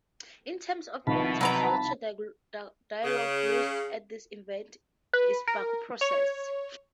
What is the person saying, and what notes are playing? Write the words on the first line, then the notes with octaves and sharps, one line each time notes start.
The term for intercultural dialogue used at these events is Baku Process.
C2 B2 D#3 F3 A5 B5
F#3 B4 A#5
C#3
B4
A#4
C#5